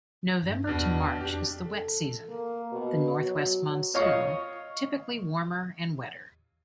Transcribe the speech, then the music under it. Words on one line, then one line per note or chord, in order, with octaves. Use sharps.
November to March is the wet season-the northwest monsoon-typically warmer and wetter.
G2
E2 B2 D4 F6
F2 D4 G4
A4
A#3
B2
F#3
F4 C#5 D#5 F5 C#6 D#6